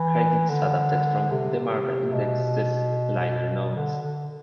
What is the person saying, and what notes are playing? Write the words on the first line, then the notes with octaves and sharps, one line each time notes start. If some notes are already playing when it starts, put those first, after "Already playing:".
Credits adapted from "The Marble Index"'s liner notes.
Already playing: E3
D3
C3
B2
D3
D3